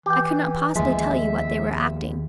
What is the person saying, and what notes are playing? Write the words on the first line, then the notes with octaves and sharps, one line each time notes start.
I could not possibly tell you what they were acting.
E3 G4 G5
D#2 F3 G#3 E5